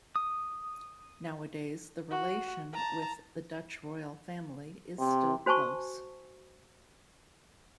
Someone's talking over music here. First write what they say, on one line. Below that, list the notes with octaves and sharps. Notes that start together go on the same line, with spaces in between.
Nowadays, the relation with the Dutch Royal Family is still close.
D#6
F#4
A5 A#5
C3
F#4 C5 G#5 A5 C#6